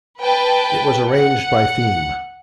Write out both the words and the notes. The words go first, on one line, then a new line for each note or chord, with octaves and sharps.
It was arranged by theme.
B4 G5 A5
F#5